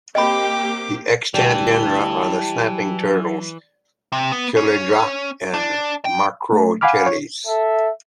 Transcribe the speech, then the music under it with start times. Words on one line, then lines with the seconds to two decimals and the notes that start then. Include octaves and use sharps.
The extant genera are the snapping turtles "Chelydra" and "Macrochelys".
0.15 A#3 C4 G4 D#5 G5 B5 D6
1.34 D2 E3 G3 A5
2.64 F#3
4.12 C3
4.32 B3
4.57 C#4
5.54 D4
6.05 G5
6.53 A3
6.81 F5 F#5 G#5 B5 D6 F6
7.06 C#5
7.48 A4 E5